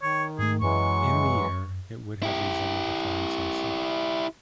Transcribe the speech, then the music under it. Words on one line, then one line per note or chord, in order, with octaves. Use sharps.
In the air, it would have resembled a flying saucer.
D#3 C#5
G#2 A3 G#4
F#2 E3 F#3 G#3 C#6
E4 G4